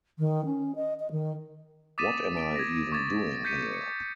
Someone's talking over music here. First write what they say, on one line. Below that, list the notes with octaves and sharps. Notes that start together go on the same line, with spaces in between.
What am I even doing here?
D#3
C#4
D#5
D#5
D#3
D6 D#6 A6 B6 D#7 E7
D7
G#6 A#6
C#6 D6 G#6 A6
G6 A6 B6 C#7 D#7
C#7